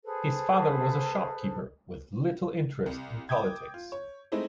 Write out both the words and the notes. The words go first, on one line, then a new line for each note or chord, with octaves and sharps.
His father was a shopkeeper with little interest in politics.
G#4 A4 B4 C5
C2
G5 D6 D#6 G6 G#6
F4
C#5
G#3 A3 C4 D#4 E4 C5